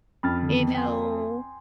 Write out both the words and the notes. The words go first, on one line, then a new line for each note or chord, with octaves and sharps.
You know?
F2 B5 F6 A6
D3 D#3
G5 G#5 C6